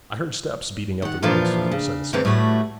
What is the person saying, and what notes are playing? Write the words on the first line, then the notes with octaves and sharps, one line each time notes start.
'I heard steps beating up the road, sir,' said the sergeant.
D#3 F#5
A#2 E3 F3 D4 F4 A#4
C#3
C3 E3 G3 G#3 C4 C#4
A2 G3 A3 F#4